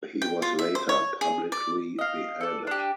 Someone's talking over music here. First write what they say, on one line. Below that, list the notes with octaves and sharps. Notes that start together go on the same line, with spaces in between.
He was later publicly beheaded.
G5
F4
E5
C5
C#5
G#4
D5
D#5 F5
A4 D5
D4 G4